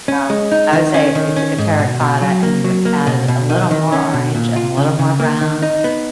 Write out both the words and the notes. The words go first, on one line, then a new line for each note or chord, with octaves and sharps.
um, I would say if you took a terracotta and you added a little more orange, and a little more brown,
C#4
G#3
D#4
D#3
C#4
D#3
C#4
G#2
B2
B2
F#3
A#3
F#3
A#3
B2
B2
D#3
D#3
C#4
B2
A#2
F4
C#3
C#3
A#3
D#3
D#4
B3